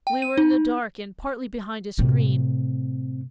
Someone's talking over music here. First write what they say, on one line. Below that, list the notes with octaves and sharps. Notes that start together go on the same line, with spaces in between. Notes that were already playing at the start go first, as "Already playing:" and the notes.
We were in the dark and partly behind a screen.
G5
D#7
D#4
A2 C3